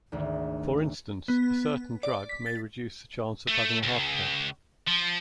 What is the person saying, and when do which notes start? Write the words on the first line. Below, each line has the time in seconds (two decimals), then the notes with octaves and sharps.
For instance, a certain drug may reduce the chance of having a heart attack.
0.12 G#1 D2
1.28 B3
2.03 D5
2.29 B6
2.46 A6
3.48 A3
3.83 C#2
4.87 F3